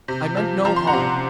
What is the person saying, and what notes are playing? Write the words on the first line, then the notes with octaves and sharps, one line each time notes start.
I meant no harm.
C3
F3
F3 A#5
C6
F#5 A#5
C3